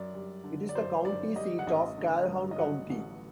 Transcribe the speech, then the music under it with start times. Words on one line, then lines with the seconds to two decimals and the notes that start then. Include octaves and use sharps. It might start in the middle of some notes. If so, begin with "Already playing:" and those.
It is the county seat of Calhoun County.
Already playing: F#2 D5
0.14 G3
0.44 D3
0.69 D5
0.75 F#2 C5
1.05 F#2 D5
1.36 G3 D#5
1.59 F#5
1.67 A1 D#5
1.97 D3
2.28 G2
2.51 D#5
2.59 F#3 F#5
2.90 A1